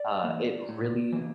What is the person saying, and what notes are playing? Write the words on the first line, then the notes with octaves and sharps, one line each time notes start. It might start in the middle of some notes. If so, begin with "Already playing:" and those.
Uh, it really
Already playing: D5
E3 A#3
A2
E3 A#3